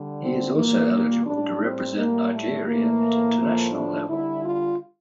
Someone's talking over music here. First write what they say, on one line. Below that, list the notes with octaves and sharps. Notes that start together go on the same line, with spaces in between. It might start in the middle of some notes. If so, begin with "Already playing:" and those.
He is also eligible to represent Nigeria at international level.
Already playing: D3 G3
C4
A#2 G3 A#3
A2 G3 D4
C4
A2 G3 A#3
A3
A2 E3 A3 A#3
A2 F3 A3
D4
D3 G3 E4
F4